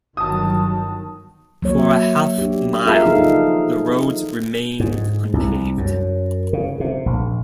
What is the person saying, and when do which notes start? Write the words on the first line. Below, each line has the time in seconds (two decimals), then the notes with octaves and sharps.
For a half mile, the roads remains unpaved.
0.17 G1 D#3 F#3 A5 D#6
1.62 F#3 A#3 C#5
1.79 E5
2.38 D4 G4
2.86 F4 G#4 A#4 E5 F5
3.05 C#3 F3 D#4 A4 F5
3.18 F4
4.80 G#2
5.33 C2
5.78 F#2
6.53 C#3
6.80 C3
7.06 A#1